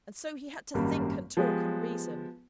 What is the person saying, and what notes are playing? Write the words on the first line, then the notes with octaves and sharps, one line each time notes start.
And so he had to think, and talk, and reason.
G#1 F#2 G3 A#3 B5
F3 G#3 B3 G4 G#4 B4